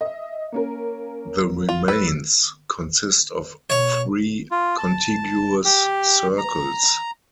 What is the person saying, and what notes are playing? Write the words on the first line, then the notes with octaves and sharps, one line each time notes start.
The "remains" consist of three contiguous circles.
D#5 E5
A#3 C#4 A#4
F4
B4 E6 A6
B2 C#5
F4
A5
G4
A#5